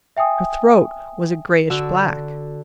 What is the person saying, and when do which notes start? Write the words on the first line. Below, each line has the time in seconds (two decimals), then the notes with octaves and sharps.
Her throat was a grayish-black.
0.17 E5 G5 G#5 D#6
1.70 D3 F#4 E6